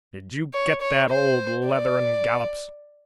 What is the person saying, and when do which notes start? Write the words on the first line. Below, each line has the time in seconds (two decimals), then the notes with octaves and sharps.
Did you get that, old Leather-and-Gallops?'
0.53 C#5
0.81 C#5
1.10 C5
1.67 D5